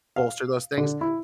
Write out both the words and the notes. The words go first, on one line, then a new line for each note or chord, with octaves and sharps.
bolster those things.
F5
D3
E4